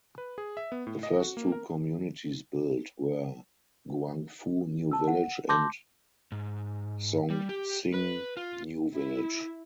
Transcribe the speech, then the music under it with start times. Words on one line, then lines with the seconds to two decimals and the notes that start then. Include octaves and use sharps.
The first two communities built were Guangfu New Village and Zhongxing New Village.
0.18 B4
0.38 G#4
0.57 E5
0.72 B3
0.87 A2
1.03 D#5
1.20 F#4
1.37 A#3
1.52 A#4
4.92 A5 E6
5.08 F#5
5.49 A5 C6 D6 G6 A#6
6.32 G#2
7.30 G3
7.49 G4
7.94 B4
8.37 F4
8.96 E4